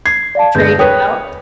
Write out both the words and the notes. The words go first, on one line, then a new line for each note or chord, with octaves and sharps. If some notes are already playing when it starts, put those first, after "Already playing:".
Trade 'em out?
G#6 C7
D5 F5 A5
G1 G#3 G6 A#6
B4 C#5 G5 D#6